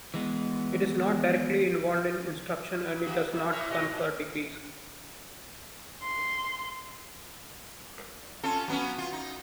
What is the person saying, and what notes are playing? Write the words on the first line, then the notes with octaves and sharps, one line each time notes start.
It is not directly involved in instruction and it does not confer degrees.
E3 G#3 B3
E3 A#3 G4
E4
A#2 A#3 C#5
B2 F#4 D#5
G#2 B2
C6
C#4 F4 A4
F#3 B3 C#4
F4
D#4